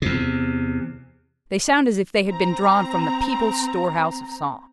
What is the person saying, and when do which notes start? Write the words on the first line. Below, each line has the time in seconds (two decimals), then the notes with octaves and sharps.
They sound as if they had been drawn from the people's store-house of song.
0.02 E2 C3
2.30 C4 A#5